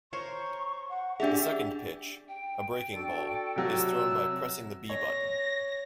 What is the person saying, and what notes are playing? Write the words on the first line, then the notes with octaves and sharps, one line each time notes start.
The second pitch, a breaking ball, is thrown by pressing the B button.
A#4 C5 C#5 C#6
F#5
D4 G4 G#4 D5 E5
G5
D4 F#4 A4
C3 F#3 E6
C#5 A#6